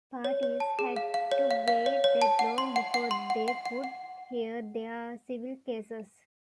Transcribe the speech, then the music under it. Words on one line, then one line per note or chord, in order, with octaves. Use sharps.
Parties had to wait that long before they could hear their civil cases.
C#5
C#5
A5
G#4
F5
F5
C#5
F5
F5
C#5
C#5
A5
F#5
C6
F#5
F#5
C6
F#5
F#5
F#5
F#5